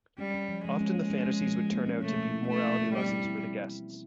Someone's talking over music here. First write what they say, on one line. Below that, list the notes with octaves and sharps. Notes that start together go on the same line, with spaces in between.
Often the fantasies would turn out to be morality lessons for the guests.
G3 C#4
C#4
F3
F3 G#3
C#4
A#3
C#4
C#4
F3
C#4
A#3
C#4
B2 A3
B2
E4
B2 A3
E4
B2
G3 C4
E4
E4